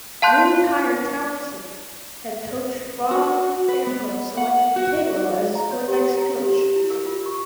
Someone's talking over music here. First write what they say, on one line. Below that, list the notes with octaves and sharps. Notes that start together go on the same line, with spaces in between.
Newly hired Towson head coach Rob Ambrose selected Kaleo as his quarterbacks coach.
F5 A5 C6 F#6 G6
F#4
B4
B3
F#5
F#4
A#5
C#5
G4
A#5
G4
E4
A#4
F4
C#6